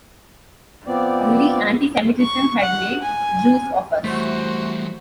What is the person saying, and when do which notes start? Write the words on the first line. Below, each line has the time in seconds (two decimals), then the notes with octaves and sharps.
Only anti-Semitism had made Jews of us.
0.87 F3 B3 C4 D5
2.22 C#6
2.60 F#5
3.02 G#5
4.04 E3 G3 A3 F#4 C5